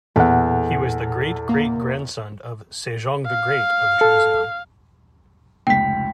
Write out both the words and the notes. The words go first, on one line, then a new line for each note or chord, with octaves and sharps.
He was the great-great-grandson of Sejong the Great of Joseon.
E2 A#2 A4 F#5
A#3
F5
A4
F1 C#2 G5 B6